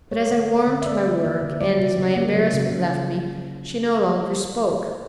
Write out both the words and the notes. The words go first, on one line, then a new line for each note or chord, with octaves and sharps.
But as I warmed to my work, and as my embarrassment left me, she no longer spoke.
A#3 C#5
D3
A#3
D3
E5
A#3 D5
D3
A#3 E5
D3
F#3 D5
C#3
C#3
A#3
F#3
C#3